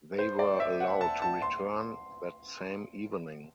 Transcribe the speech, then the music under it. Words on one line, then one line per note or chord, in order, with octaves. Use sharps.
They were allowed to return that same evening.
C5
D5
E5
F#5
A5
A5
C6